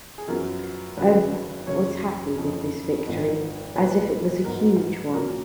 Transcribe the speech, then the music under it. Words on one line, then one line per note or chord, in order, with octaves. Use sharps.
Omer was happy with this victory as if it was a huge one.
G#4
F#2 F3 B3 A#4
G#1 F#2 C#3 F#3 B4
F#1 F#2 C#3 C#5
F#1 F2 C#3
G#1 G#2 F3 B3 D#4
B1 A#2 F3 G#3 B4
G#2 F#3 B3 D#4 A#4
A#1 A#2 F#3 C#4 A#4